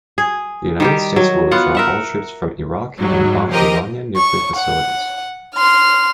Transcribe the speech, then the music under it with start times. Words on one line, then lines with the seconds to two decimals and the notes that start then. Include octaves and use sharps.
The United States will withdraw all troops from Iraq and bomb Iranian nuclear facilities.
0.18 G#4
0.80 D#3 G3 G4
1.16 F#3
1.51 B3 F4 F#5
1.75 A#4 E5 F#5
2.98 G#2 F#3 G3
3.49 F3 C4 G4 A#4 D#5
4.17 C#6
4.56 F#5
5.56 C6 F6